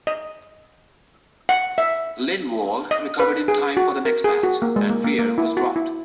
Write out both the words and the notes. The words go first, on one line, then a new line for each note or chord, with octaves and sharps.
Lindwall recovered in time for the next match, and Freer was dropped.
D#5
F#5
E5
D#5
B4
G#4
F#4
A#4
G#4
F#4
A#3
G#3
A#3
A#3
A#3
E4
F#4
E4